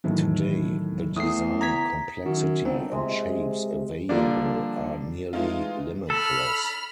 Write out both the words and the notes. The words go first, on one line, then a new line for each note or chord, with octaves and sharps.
Today, the design complexity and shapes available are nearly limitless.
A2 D#3 E3 F#3
E2 A3 D#6 C7
A#5 G#6 B6
F#2 D#3
G1 C4
C3 G#3
D3 F3 G3 A#3 D4
E3 G#3 A3 D#4 F4
A4 B5 F6